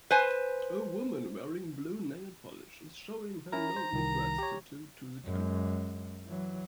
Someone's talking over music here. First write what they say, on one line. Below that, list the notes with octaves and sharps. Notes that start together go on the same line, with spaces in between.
A woman wearing blue nail polish is showing her no regrets tattoo to the camera.
B4 C5 G#5
C#4 E4 A#4 A#5
C5
C2 D#3
G4 C#5
F#2 G#3
E3 F#3